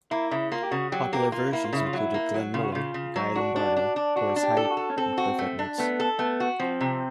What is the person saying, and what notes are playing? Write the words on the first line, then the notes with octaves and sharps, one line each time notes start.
Popular versions included Glenn Miller, Guy Lombardo, Horace Heidt and Cliff Edwards.
A#3 E4
C#3 E4
A#3 F4
G4
C#3 F#4
F#3 G4
A#3 G4
A#3 F4
A#3 E4
F4
C#3 E4
F4
F#3 E4
A#3
F#3
C#3 F4
F#4
C#3 F4
C#3
F#3
D4 F#4
D4
D4
D4
D4 F#4
D4
G4
A4
G4
F#4
A4
C#4
C4 A4
F#4
A3
D4
A3 B3
A4
A3 B3
F#4
F3 C4
C3